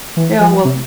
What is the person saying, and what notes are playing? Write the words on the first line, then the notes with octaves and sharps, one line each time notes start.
Yeah, well,
E3
F3
C3